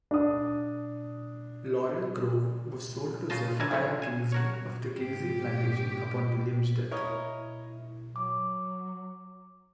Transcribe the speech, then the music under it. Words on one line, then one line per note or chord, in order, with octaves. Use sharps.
Laurel Grove was sold to Zephaniah Kingsley of the Kingsley Plantation upon William's death.
D4 D#6
C#3 F4 D#5 A5
A#4 B4 C#5 E5 G#5 A5
F2 G#2 F3 E4 C#5
G#5
F#4 A#4 C#5
G#2 G4
E4 A#4 C#5 D#5
F#3 D6